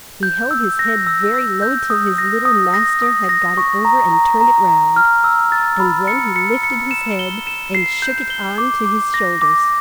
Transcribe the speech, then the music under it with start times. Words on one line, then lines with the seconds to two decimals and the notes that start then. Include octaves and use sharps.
He held his head very low till his little master had got it over and turned it round, and then he lifted his head, and shook it on to his shoulders.
0.23 G6
0.51 E6
0.79 A#6
1.07 E6
1.34 E6
1.62 G6
1.90 D#6
2.18 A#6
2.45 D#6
2.74 A#6
3.02 D#6
3.29 A#6
3.58 C#6
3.85 A#5
4.13 A#5
4.41 A#5
4.68 A#5
4.96 F6
5.24 E6
5.52 A6
5.80 B5
6.08 C#7
6.36 C#7
6.63 C#7
6.91 E7
7.19 G7
7.47 E7
7.75 C7
8.02 G6
8.30 G7
8.58 D6
8.86 D6
9.14 A#6
9.42 D6